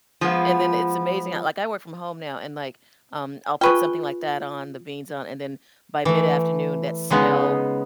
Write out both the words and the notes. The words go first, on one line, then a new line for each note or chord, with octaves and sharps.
And then it's amazing I like, um, I work from home now and, like, um, I'll put something like that on- the beans on- and then by mid-afternoon, that smell
F3 G#3 B3 F4
F4 G#4 B4 G5 C#6
E3 A3
C#3 G#3 B3 D#4